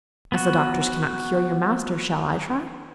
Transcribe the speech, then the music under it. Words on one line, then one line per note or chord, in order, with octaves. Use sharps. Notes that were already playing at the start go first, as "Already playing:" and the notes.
As the doctors cannot cure your master shall I try?'
B3 F#4